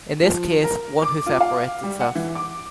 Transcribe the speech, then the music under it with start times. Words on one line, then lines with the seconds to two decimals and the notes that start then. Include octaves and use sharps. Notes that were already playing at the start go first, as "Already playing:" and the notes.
In this case, "one who separates itself".
0.23 F3
0.64 A#4
1.02 D6
1.26 F4
1.41 F5
1.83 G3
2.00 F#5
2.15 E3
2.35 D6